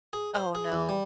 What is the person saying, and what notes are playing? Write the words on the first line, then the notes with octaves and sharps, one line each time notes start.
Oh, no.
G#4
C5
G#4
E2
G3